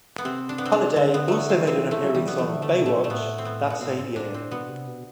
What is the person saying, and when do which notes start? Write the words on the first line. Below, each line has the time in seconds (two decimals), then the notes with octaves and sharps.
Holliday also made an appearance on "Baywatch" that same year.
0.18 B3
0.25 C3 C4
0.49 D4
0.58 B3
0.65 C4
0.72 D4
0.96 D3 C4
1.14 B3
1.28 A3 B3
1.49 C4
1.67 E3 C4
1.91 A3
2.03 F#3
2.15 E3 G3
2.27 F#3 B3
2.38 E3 A3
2.56 D3
2.62 A3
2.74 C3
2.85 A2 A3
2.92 B2
3.04 A3
3.09 A2 B3
3.38 C4
3.45 B3
3.70 B3
3.81 B2 C4
3.88 A2
3.97 G2 C4
4.05 A2
4.16 A2 D4
4.34 C4
4.51 B2 B3
4.69 C3
4.87 B2